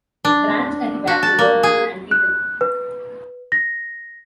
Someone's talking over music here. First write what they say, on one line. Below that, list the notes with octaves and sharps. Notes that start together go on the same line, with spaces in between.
Branch at the Battle of Antietam.
D4
F#4
A5
A#3
G#4
F#6
B4
A#6